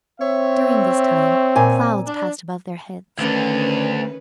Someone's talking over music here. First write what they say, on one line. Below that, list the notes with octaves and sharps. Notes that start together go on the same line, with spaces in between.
During this time, clouds passed above their heads.
C4 C#5 E5
A#2 G#5
D4
D2 D3 D#3 C#4 B4